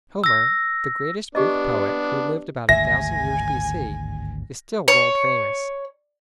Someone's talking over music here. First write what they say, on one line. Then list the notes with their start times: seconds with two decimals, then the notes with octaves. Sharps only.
Homer, the greatest Greek poet, who lived about a thousand years B.C., is still world famous.
0.24 E6 A#6
1.35 B3 D4 G4 D#5
2.69 G#1 D2 G2 E5 G#5 A#6
4.88 C#5